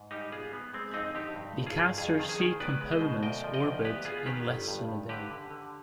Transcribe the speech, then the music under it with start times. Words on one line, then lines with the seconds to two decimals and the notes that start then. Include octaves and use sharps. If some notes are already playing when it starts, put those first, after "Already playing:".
The Castor C components orbit in less than a day.
Already playing: G#2
0.11 G3 D#4 G4
0.32 B3 F4 G#4
0.53 B3
0.74 G#3 C4
0.94 F2 C4 D#4
1.15 D3 D#4 G4
1.35 G2
1.56 G#1
1.67 F4 G#4
1.77 G2
1.98 F2 F4 G#4
2.19 D#3
2.29 G#4 C5
2.40 D#3
2.60 B3 B4 D5
2.81 G#3
2.91 C5 D#5
3.01 B2
3.23 D2 D#5 G5
3.44 F3
3.54 D#5 G5
3.63 D2
3.85 B3 G4 B4
4.05 B3 F4 G#4
4.26 D#3 G4 B4
4.47 G1
4.68 G2
4.89 G2
5.09 D3 G4 B4
5.31 D3
5.51 D3